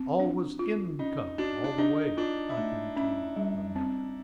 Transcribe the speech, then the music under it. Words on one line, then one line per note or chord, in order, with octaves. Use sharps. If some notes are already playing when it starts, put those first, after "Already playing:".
All was income, all the way up into the millions.
Already playing: C4
D4
F4
C#4 D#4
D4 F#4
D4
D4 D#4
D4 F4
E4
A3 D#4
C#4 E4
G3
C4